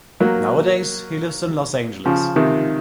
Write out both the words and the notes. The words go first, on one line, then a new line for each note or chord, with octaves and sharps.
Nowadays he lives in Los Angeles.
F#3 A#3
C#3 F3
C3 D#3